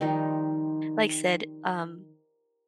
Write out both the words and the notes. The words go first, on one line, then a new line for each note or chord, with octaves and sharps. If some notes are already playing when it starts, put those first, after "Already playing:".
like said, um,
D#3 F3 G3 D#4